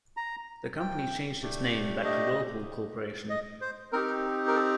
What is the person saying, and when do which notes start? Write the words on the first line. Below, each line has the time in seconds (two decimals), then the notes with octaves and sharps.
The company changed its name back to Whirlpool Corporation.
0.17 A#5
0.80 G5
1.42 A3 D4 G4
2.04 D#5
3.30 D#5
3.61 C5
3.93 C4 D#4 G4 A#4
4.47 A#4
4.55 A4